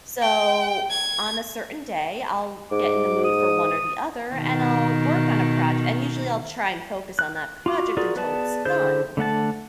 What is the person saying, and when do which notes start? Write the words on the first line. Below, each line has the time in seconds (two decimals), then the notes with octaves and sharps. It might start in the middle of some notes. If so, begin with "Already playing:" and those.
so, on a certain day, I'll get in the mood for one or the other, and I'll work on a proj and usually, I'll try and focus on that project until it's done.
0.22 G5
0.90 G#6
2.71 G#2 D6
3.24 D#6
4.35 B2 D#3
7.19 F#6
7.66 F4 F#4 D6
7.97 F4 F#4 G#4 A#4 D5
8.16 B3 G#4 B4 D5 A5
8.65 D3 E4 G#4 C5 G6
9.17 D3 A3 F#5 A5